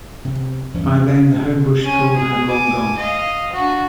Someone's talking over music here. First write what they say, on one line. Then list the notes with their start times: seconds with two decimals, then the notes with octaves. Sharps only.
By then the Homebush School had long gone.
0.25 C3
0.74 E2 G2 C#4
1.83 C#4 G#5
2.15 G#4
2.47 G#5 D6
2.97 D#5 F5
3.53 D4 F#4